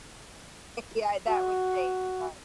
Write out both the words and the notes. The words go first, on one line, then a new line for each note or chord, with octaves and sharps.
yeah, that would change, but
F#4